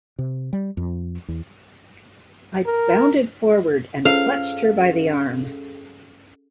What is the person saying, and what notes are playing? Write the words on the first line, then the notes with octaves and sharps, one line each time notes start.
I bounded forward, and clutched her by the arm.
C3
G3
F2
E2
A#4
C#4 G#4 A4 F5